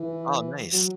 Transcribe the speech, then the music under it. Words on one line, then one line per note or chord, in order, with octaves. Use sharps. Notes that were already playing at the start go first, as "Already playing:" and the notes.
Oh, nice.
Already playing: E3
F#3